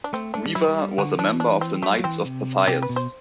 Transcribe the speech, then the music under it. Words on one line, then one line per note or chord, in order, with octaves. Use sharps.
Weaver was a member of the Knights of Pythias.
D4
A3 C4
A3 D4
G3
F#3 E4
G3
D3 F#4
E3 D4
D4
C4
F#3 A3
F#3
E3 C4
C3
C3 G4
B4
B2
C5